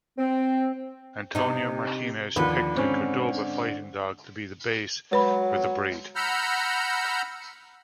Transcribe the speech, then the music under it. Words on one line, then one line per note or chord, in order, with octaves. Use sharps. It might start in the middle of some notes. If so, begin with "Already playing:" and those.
Antonio Martinez picked the Cordoba Fighting Dog to be the base for the breed.
C4
C3 D#4
D#2 D3 F3 B4
G#2 C4 C#4
F#3 G#3 B4 B5
F#5 A#5 B5 E6 F6 G6